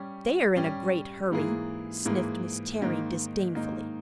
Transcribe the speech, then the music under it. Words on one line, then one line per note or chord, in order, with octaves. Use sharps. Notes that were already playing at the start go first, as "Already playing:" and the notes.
"They are in a great hurry," sniffed Miss Terry disdainfully.
Already playing: G3 C#4 G4
G3 C#4 G4
G#2 E3 A#3 E4 G#4
G#2 E3 A#3 E4 G#4
G#2 D#3 A#3 D#4
G#2 D#3 A#3 D#4